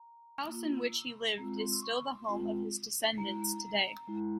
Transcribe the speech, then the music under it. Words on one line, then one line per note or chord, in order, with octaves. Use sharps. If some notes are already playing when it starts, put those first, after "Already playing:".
The house in which he lived is still the home of his descendants today.
Already playing: A#5
A#3 F4
G#3 C4 F4 A#5
C6
C6
C#6
C6
G#3 C4 F4
G#3 E4 A#5
G#3 E4